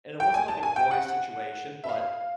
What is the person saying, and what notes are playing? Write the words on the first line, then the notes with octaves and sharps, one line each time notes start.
and it wasn't, like, a gory situation, but
G5
G#5
A5
G#5
G5
F#5
E5
F5